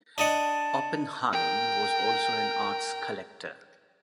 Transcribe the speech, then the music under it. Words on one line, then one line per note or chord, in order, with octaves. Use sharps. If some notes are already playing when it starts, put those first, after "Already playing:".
Oppenheim was also an arts collector.
D4 D#5 F#5 A5
A#4 G5